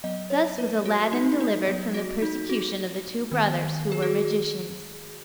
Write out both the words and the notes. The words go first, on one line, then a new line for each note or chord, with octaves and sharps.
Thus was Aladdin delivered from the persecution of the two brothers, who were magicians.
F#3 B3 D#5
C#5
B4
F#4
D#4
D#4
F#3 B3
F#4
D#4
F#4
D#3 B3
G#4
F#4